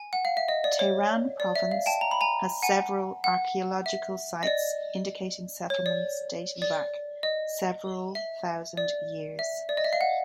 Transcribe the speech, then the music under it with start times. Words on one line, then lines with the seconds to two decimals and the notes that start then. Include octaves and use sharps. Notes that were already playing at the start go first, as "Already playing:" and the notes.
Tehran Province has several archaeological sites indicating settlements dating back several thousand years.
Already playing: G#5
0.13 F#5
0.25 F5
0.37 E5
0.48 D#5
0.64 D5
0.79 C#5
1.40 D5
1.56 E5
1.72 F5
1.86 G5 A5
2.01 A#5
2.11 B5
2.21 G#5 A#5
2.63 F#5 G#5
3.24 F#5
3.86 E5
4.43 D#5
4.47 D5
5.70 C#5
5.86 D5
6.62 D5
7.23 D#5
8.15 E5
8.77 D5
9.39 E5
9.69 D5
9.77 D#5
9.84 E5
9.93 F5
10.01 F#5